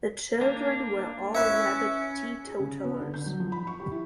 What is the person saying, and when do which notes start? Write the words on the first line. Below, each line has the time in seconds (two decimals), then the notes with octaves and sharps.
The children were all rabid teetotallers.
0.41 A#3 D4
1.35 C#4 E4 B4 E5
2.47 G#4
2.60 C#3
2.84 B3
3.00 D3
3.14 G6
3.26 F#3
3.40 F3
3.52 B5
3.67 C#6
3.80 G4
3.92 E4